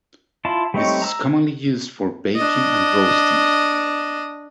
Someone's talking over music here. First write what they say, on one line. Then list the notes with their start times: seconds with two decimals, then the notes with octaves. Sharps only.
This is commonly used for baking and roasting.
0.45 E4 F4 A5
0.74 G3 A3 C4 D#4 C#5
1.02 A#5 E6
2.36 D4 D#5